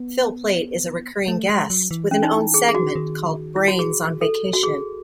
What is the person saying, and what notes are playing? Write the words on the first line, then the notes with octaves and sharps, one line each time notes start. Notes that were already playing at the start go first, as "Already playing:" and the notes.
Phil Plait is a recurring guest, with an own segment called "Brains on Vacation".
Already playing: B3
A3
G#3
F#3
E3
C#4
D#4
E4
G#4
G#4
F#4
D#3
E4
F#4
G#4
A4
F#4
G#4